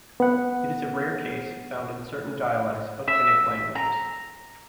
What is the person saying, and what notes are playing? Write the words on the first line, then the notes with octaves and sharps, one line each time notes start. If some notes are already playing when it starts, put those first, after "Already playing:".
It is a rare case found in certain dialects of Finnic languages.
B3 F#5
E5
A#5